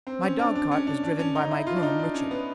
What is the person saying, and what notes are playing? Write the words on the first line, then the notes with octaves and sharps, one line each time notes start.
My dogcart was driven by my groom, Richard.
C4
C#4
D4
D4
C#4
D4
D4
C#4
D#4
E4
F4
D4
D#4
D4
C#4
B3